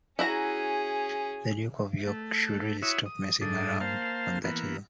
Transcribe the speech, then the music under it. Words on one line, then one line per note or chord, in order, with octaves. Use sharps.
The Duke of York should really stop messing around on that hill.
C#4 E4 F#4 G#4 A#5
A3
E4 F#4 C#5 E5 D#6
D#6
G#2 D4 A4 D#6
A#3 C5 F5 A5
E3 A#3 B3